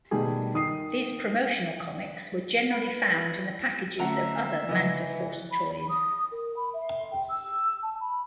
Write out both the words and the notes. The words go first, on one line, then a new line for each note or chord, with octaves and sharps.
These promotional comics were generally found in the packages of other Manta Force toys.
B2 D#3 G3 A3 G#4
D#3 D#6 C7
B4
D3 A3 C#4 E5 F#5 A#5
C#3 E3 F3 D#4 D#5
B5
B5
D#6
A#4
B5
E5
G5
E6
A5
B5